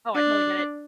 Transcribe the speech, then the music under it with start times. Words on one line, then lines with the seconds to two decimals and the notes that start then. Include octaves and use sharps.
Oh, I totally get it.
0.15 D4